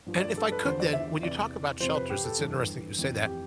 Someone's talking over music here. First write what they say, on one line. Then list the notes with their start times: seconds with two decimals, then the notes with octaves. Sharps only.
And if I could then, when you talk about shelters, it's interesting that you say that.
0.06 G2 F3
0.20 D5
0.38 A4
0.52 B4
0.65 E2 D3 F3 C5
0.80 D5
0.93 E5
1.22 E2 C3 E3 D5
1.80 F2 C3 F3 C5
1.95 B4
2.10 G4
2.24 A4
2.39 G2 E3
2.98 F2 E3
3.26 G4